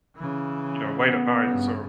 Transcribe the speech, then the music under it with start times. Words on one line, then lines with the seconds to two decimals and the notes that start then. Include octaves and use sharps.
you know, late at night. So
0.16 C#3 E3
1.02 B3
1.44 G2 C#3